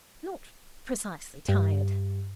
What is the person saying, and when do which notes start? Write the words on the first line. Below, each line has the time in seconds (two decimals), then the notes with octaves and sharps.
'Not precisely tired.
1.49 G2